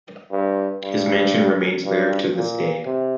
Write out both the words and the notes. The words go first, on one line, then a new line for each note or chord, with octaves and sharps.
His mansion remains there to this day.
G2
G2
G2
A#2
C3